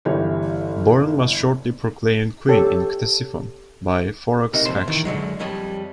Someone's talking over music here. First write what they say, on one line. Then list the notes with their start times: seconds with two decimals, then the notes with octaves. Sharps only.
Boran was shortly proclaimed queen in Ctesiphon by Farrukh's faction.
0.05 G1 E3 G4 C#5
2.48 G4 A4 C#5
4.53 C3 D#4 F#4 A#4
4.66 F2 A#2 C5 C6
4.88 D#3 E3
5.05 F#2 D3 F#3 G#3
5.40 F2 G3 C#5 D#5